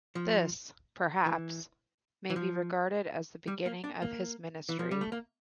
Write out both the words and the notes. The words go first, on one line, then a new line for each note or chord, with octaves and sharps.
This, perhaps, may be regarded as the beginning of his ministry.
F3
E3
E3
F3
G3
A#3
D4
A#3
E3
F3
G3
A3
A#3